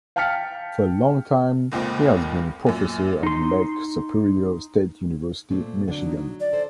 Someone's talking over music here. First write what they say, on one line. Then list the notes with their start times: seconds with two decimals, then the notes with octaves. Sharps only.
For a long time he has been a professor at the Lake Superior State University, Michigan.
0.16 F5 G5 A5 F6 B6 C#7
1.72 F1 C#2 A#2 C4
2.66 F#2 A#2
3.23 D#4 C6
5.51 A#2 A3 C4
5.88 D3 F#3 D4
6.01 D#4
6.17 F#3
6.40 D5
6.53 A4 C5